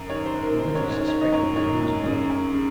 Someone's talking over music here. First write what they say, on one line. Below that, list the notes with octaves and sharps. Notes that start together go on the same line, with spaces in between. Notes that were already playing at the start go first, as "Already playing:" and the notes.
He little suspected with whose money.
Already playing: F#2
D#3 C#5
C5
G#2
A#4
D#3 C5
C#5
G#2
C#5
D#3 C#5
D#5
F#2 C#5
D#3 C#5
F#2
C#3
F#2
C#3